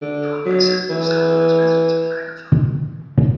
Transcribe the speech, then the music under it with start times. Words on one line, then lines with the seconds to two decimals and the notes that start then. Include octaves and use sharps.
Twelve per cent of Southdale's residents are francophone.
0.01 D3
0.46 F#3
0.90 E3